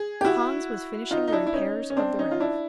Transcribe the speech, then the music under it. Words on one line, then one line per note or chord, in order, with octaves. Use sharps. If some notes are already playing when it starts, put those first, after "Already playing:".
Hans was finishing the repairs of the raft.
Already playing: G#4
G4
E4 F#4
D#4 F4
D#4
D4 E4
E4
C#4 D#4
C#4
C4 D4
C#4 D#4
F4
D4 E4